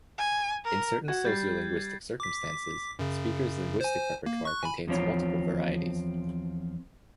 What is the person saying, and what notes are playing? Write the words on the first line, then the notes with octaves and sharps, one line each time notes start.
In certain sociolinguistic circumstances, speakers' linguistic repertoire contains multiple varieties.
G#5
A#4
F#4 F#5 G#6
G3 G6 A6 C7
D6 B6
F#2 C#3
C5 G#5
A#3
C#6 F#6
G#5 B5
E2 F3 C4 C#5